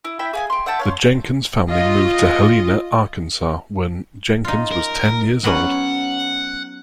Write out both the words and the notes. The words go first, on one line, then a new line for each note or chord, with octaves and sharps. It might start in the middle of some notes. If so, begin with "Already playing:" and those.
The Jenkins family moved to Helena, Arkansas, when Jenkins was ten years old.
E4
E4 E5 G5 B5
G#4 F5 G#5
G5 C6
E5 F#5 G5 A5
C#5 F5 C6
F4 D#5
D#4 F4
A#4
F#3 B3 C#4 F#5